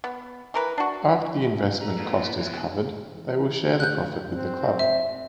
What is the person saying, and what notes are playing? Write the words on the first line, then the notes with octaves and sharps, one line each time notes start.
After the investment cost is covered they will share the profit with the club.
B3
E3 A#4 B4
D4 F#4
A4 A#5
A#3 D4 F4 B4
E4
E3 B3
E3
D2 F#6 G6
C4
E5